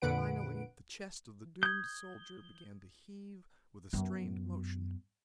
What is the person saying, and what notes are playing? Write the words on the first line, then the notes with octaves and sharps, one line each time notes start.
Finally, the chest of the doomed soldier began to heave with a strained motion.
F2 A#2 D3 B4 F#5 D7
D#6 G6 G#6
F#2 B3